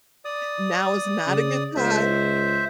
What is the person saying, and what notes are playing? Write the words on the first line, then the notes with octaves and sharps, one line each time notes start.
now is not a good time"
D5 D#6
C#3
C#2 C5 E5